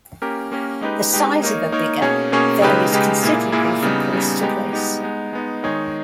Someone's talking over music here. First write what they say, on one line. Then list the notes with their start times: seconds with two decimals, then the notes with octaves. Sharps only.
The size of a "bigha" varies considerably from place to place.
0.22 A#3 C#4 G4 A#4
0.52 A#3 C#4 G4 A#4
0.81 G#3 D#4 G4 B4
1.12 G#3 D#4 G4 B4
1.42 A#3 D#4 A#4 C#5
1.72 A#3 D#4 A#4 C#5
2.02 B2 A#3 C#4 G#4 C#5
2.32 B2 A#3 C#4 G#4 C#5
2.62 C#3 G#3 D#4 G4 B4
2.92 C#3 G#3 D#4 G4 B4
3.23 A#2 A#3 E4 G#4
3.52 A#2 A#3 E4 G#4
3.83 C#3 G3 B3 D#4
4.12 C#3 G3 B3 D#4
4.43 G#3 B3 D#4 G4
4.73 G#3 B3 D#4 G4
5.03 G#3 B3 D#4
5.33 G#3 B3 D#4
5.63 D#3 G#3 D#4 G#4 C#5